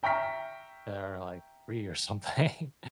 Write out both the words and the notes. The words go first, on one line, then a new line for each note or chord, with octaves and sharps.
that are, like, free or something,
E5 G5 A#5 C#6 F6 B6